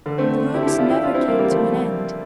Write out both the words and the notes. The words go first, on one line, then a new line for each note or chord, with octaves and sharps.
The rooms never came to an end.
D3
A3 C4
E4 G4
A4
E4 G4
D4 F4
E4 G4
D4 F4
C4 E4
A#3 D4
G3 A#3
F3 A3